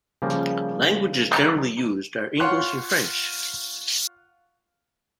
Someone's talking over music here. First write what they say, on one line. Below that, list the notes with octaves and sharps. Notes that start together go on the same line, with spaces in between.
Languages generally used are English and French.
C#3 F3 G3 A#3
F4 C#5 F#5 C6 F#6